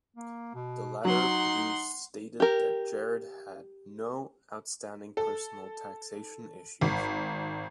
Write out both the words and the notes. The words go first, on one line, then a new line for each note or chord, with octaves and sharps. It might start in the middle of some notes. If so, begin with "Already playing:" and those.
The letter produced stated that Gerard had no outstanding personal taxation issues.
A#3
B2
F#3 D#4 F#5 C6
G4 A#4
A4
G#1